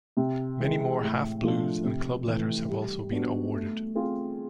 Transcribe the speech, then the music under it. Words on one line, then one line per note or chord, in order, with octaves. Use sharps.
Many more half blues and club letters have also been awarded.
C3
E3 G#3
A2
F3 A3 D4
C3
E3 A3
G3
B3 D4 F#4
A3
C4 F4 G#4